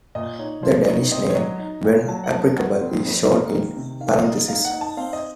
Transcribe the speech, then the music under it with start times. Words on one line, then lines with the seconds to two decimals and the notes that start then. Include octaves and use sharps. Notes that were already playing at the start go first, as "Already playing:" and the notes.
The Danish name, when applicable, is shown in parentheses.
0.15 A#2 D#5
0.39 D#4 C#5
0.63 F3 C5
0.88 D#4 C#5
1.12 C4 D#5
1.30 C#5
1.35 F#3 D#5
1.59 D#4
1.84 A#2
2.08 F#3 A5
2.24 F#5
2.32 F2 A5
2.56 F2 F#5
2.80 C4
3.05 F2
3.28 A#3
3.53 D#3
3.77 C3
4.01 D#3 F5
4.21 F5
4.24 A#3 D#5
4.48 D#4 F5
4.65 F#5
4.73 D#4
4.81 A5
4.97 C4 F5
5.13 D#5